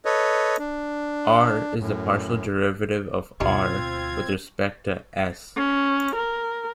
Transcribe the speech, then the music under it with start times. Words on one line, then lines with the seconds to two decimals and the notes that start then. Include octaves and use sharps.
"R" is the partial derivative of "R" with respect to "s".
0.05 A4 B4 C#5 D#5
0.59 D4
1.79 F#2 A2
3.40 D2 B2 G3 C4 C#4 D#4 F4 G#6
5.56 C#4
6.15 A#4